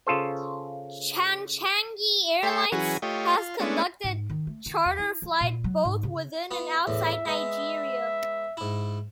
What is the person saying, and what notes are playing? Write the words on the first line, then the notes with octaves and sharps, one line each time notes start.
Chanchangi Airlines has conducted charter flight both within and outside Nigeria.
C#3 F4 A4 C5
A3 A4 C#5 E5 G5 C6
E3 F#3 C#4 F#4 G#4 B4
A3 F4 G4 C#5 D#5
F4
G#3 A3 B3 C#4 D4
G#2
D#3
A3
D#3
E2
E4
F3
A#2
F#3
G#2
C#3
B3 F4
E2 A2 E5
G#3 B3
G#2 E4